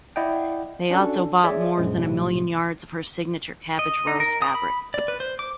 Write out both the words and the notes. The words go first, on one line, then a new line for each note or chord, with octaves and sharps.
They also bought more than a million yards of her signature cabbage rose fabric.
E4 D5 D#5 F#5 G5
C#4 D4 F#4 A4
G#4 C#5 D5 E5
A#1 F#2 F3 G#3
B1 A2 C3
D#5
D#4
A#4
D#6
B5
D5
B4
C5
D6